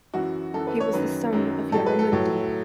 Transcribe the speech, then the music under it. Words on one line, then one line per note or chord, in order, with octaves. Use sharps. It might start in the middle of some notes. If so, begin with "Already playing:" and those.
He was the son of Yarramundi.
F#2 E3 F#4
F#2 E3 A4
B4
C#5
F#2 D#3 F#3 B4
F#2 D#3 F#3
A2 F#3 A4
B4
A4
A2 F#3